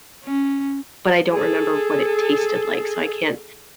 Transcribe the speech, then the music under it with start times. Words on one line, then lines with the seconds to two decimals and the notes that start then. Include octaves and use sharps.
but I don't remember what it tasted like, so I can't
0.24 C#4
1.32 G#4 A4